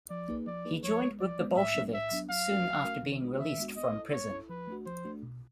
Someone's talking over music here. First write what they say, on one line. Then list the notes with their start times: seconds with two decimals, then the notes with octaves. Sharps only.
He joined with the Bolsheviks soon after being released from prison.
0.10 F3 D5
0.28 A#3 D#4 G#4 B4
0.47 F3 D5
0.65 A#3 D#4 G#4 B4
0.83 F3 C#5
1.02 G#3 B3
1.20 F3 D5
1.39 G#3 B3
1.56 A2 E5
1.75 F#3 B3 D4
1.93 A2 E5
2.11 F#3 B3 D4
2.30 F#3 F5
2.49 A3 C#4 F#4 A#4
2.67 F#3
2.85 A3 C#4 F#4 A#4
3.03 D#3
3.21 G#3 B3 D4 F#4
3.40 D#3 E5
3.58 G#3 B3 D4 F#4
3.76 B3 D#5
3.95 E4 A4
4.13 B3 C#5
4.31 E4 A4
4.49 F3 B4
4.67 A3 D4 F#4
4.86 F3 C5
5.05 A3 D4 F#4
5.23 B2